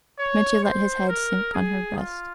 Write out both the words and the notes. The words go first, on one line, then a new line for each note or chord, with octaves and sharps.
Mitya let his head sink on her breast.
C#5
C5
A#4
G#4
F4